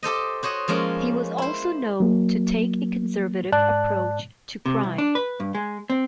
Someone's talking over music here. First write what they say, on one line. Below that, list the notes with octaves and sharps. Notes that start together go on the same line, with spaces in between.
He was also known to take a conservative approach to crime.
G4 A4 C5 D#5
F#4 C5 C#5 D#5
F3 G#3 A#3 C#4
E4 C5
F#3 A#3
G#2 D5 A5 F#6
C3
C2
D4
B4
G2
G#3
C4